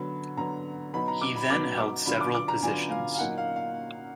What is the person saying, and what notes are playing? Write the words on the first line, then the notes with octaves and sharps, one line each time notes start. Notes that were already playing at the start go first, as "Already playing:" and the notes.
He then held several positions.
Already playing: D3 F#3 B3 B5
D3 F#3 B3 A#5
B2 F#3 B3 D#4 B5
A#5
D6
B5
B2 F#3 B3 D#4 D6
D6
D3 F#3 B3 D4 F4 B5
D6
D6
A#5
D3 F#3 B3 D4 F4 G#5
F5
F5
A#2 F#3 A#3 D#4 F#5
F5
F5